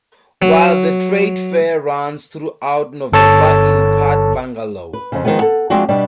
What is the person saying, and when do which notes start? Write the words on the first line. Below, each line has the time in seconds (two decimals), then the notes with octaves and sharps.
While the trade fair runs throughout November in Part Bungalow.
0.42 F#3
3.13 G1 A4 C#5 A5
4.93 B4
5.12 F2 C#3
5.25 D#3 F3 G#3 B3
5.39 A4 F#5
5.70 F3 G#3 C4 D4 F#4
5.89 B2 G3 D4